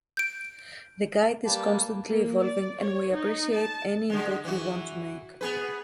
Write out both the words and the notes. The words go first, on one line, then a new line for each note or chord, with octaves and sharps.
The guide is constantly evolving and we appreciate any input you want to make.
G6 D7
G3 A#3 G4 B4 A5
A#3
D5
C#5
D#4
A5
D3 G#3
E3 F#4
B3 G#4 B4